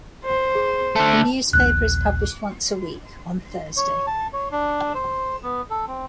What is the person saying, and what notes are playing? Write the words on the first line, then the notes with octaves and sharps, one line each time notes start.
The newspaper is published once a week on Thursday.
C5
G#4
D3 A3 A5
D#1 A#1 F#6
C#5
A5
C#5
D4
C5
B3
A4
C4